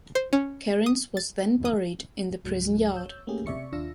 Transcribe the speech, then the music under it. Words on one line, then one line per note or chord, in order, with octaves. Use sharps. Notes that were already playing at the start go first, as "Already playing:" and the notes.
Kerins was then buried in the prison yard.
C5
C#4
D#6
A6
D#6
C#2 G#2 F#3
C#5 E6 G6
A3 A#3 C#4 G4 G#4
C3 D5 E5 C#6 C#7
D#2 D4 F4 F5 E6 A#6